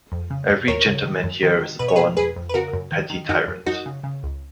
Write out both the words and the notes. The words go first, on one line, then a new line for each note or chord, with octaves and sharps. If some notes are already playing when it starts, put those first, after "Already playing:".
Every gentlemen here is born a petty tyrant.
F2
C#3
F#2
D#2 A#4 C#5
C#3
D#3
F#2
D#3
D#3
B2 B4
C#5
G#4 B4
B2
F2 G#4 B4
F2
B4
C#3 F#4 A#4
F#2
D#3
D#3
F#2 D#4 F#4
F#2
F#2 D#4 F#4
C#3
C#3
C#2